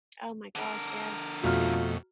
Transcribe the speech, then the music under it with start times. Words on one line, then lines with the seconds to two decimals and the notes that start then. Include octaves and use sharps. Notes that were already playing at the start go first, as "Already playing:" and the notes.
Oh, my gosh, yeah.
0.55 D3 A#4
1.43 F2 B2 A3 F4 F#4 A#5 F6